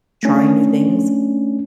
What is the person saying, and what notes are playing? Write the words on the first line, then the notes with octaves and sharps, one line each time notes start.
trying new things
A3 C#4 D4